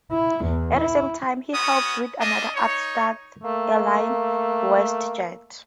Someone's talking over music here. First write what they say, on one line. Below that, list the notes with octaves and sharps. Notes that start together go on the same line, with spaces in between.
At the same time, he helped with another upstart airline, WestJet.
E4
E2
E4
B3 C#4 F#4 D#6
C#4 D4 D#5
D#4 C#5
A3 A#3